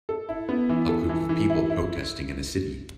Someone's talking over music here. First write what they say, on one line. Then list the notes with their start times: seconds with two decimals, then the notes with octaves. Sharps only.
A group of people protesting in a city.
0.09 A4
0.29 E4
0.49 B3
0.69 E3
0.89 A4
1.09 E3
1.29 E3
1.50 E4
1.70 E4